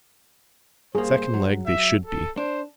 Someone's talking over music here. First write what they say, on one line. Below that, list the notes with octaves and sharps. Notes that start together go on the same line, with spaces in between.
Secondleg they should be.
G2 A#3 G#4 C5
F#3
E5
A4
D4 C5